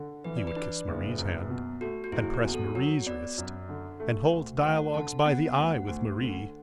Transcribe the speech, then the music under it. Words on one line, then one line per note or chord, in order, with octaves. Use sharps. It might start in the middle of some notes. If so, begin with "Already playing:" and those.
He would kiss Marie's hand, and press Marie's wrist, and hold dialogues by the eye with Marie.
Already playing: D3
E3 B4
D5
B4
D4
F#1
F#2
B2
A3 F#4
F#4
F#1 E4
F#4
E2
A4
F#3 F#4
B3 D5
F#2
D3
A3
D2
D2 F#5
D3 A5
B3 F#5
D2
D2
D3